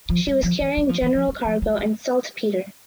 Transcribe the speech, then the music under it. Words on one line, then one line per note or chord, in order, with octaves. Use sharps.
She was carrying general cargo and saltpeter.
F3
G3
F3
E3
G3
F3
E3
F3
G3
F3
G3
G3